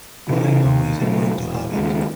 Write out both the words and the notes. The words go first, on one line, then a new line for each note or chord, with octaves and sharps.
All I know is, I'm going to have it.
C#3 E3
D#2
C#3 F#3 A3
E1
D#2 C#3 G#3